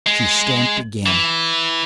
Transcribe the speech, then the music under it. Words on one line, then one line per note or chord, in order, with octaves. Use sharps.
She stamped again.
G#3
E3